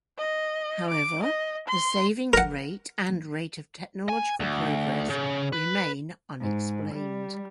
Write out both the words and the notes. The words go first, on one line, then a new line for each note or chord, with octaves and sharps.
However, the savings rate and rate of technological progress remain unexplained.
D#5
D6
D#5
C6
A#4 F#5
G#5
D2
C#3
B4
G#2
G3